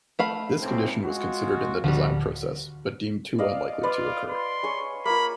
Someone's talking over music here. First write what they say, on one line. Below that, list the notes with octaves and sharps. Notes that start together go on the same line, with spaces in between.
This condition was considered in the design process, but deemed too unlikely to occur.
A3 F5 B5
C#2 A2 C4
G#3 F4 F#4
D1 G#1 D#2 D3 F3 G3 D4 F#4
D5 D#5 F5
F4 B4 D5
C6
G#4 C#5 C#6
A#3 F4 B5